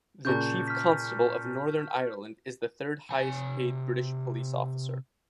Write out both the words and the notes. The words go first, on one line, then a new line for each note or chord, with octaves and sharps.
The Chief Constable of Northern Ireland is the third-highest paid British police officer.
A#2 C#3 A5 C#6 G6
F6 B6
C3 G#5